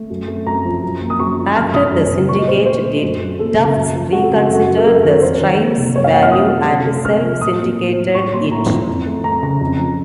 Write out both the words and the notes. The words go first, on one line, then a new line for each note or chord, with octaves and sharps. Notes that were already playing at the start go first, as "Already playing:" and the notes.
After the syndicate did, Tufts reconsidered the strip's value and self-syndicated it.
Already playing: A3
F#2
A3
F#2 A#5
F3
F#2
A#3
D#6
F#2 C#6
F3
F#2 F6
A3 D#6
F#2
C#3
A#2 C#6
D#5
A#2 C5
A3 C5
A3
F#2
F#3
A#3 A4
C#3
F#2
F3
A3 F#4
A4
C#3 F#4
A4
F#2 F#4
F#3
A#4
F#2 A4
D#3 A#4
F2 C5
D#3
A#3
C3
F#2 C#5
F5
A#3 F#5
F6
F#2 D#6
F3
C3
A3
C3 F6
F3
A2 D#6
A#3
A2
F#3
A2 C#6
A#3 C6
A2 A#5
F3
F2
A3
F2 A#5
C#3 A#5
F2
F3